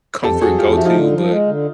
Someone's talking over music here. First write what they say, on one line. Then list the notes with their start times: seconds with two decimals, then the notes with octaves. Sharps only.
comfort go to, but
0.23 F2 G4 A4
0.41 F2 F#4 G#4
0.58 F2 F4 G4
0.77 F3 E4 F#4
0.85 D#4 F4
0.94 D3
1.12 F3
1.30 G#3
1.47 D3